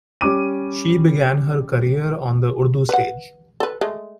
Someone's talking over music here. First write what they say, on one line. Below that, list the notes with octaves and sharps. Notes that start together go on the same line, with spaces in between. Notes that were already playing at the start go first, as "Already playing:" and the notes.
She began her career on the Urdu stage.
G3 C#4 D6 D#7
B4 F#5
A4 B4
G#3 A3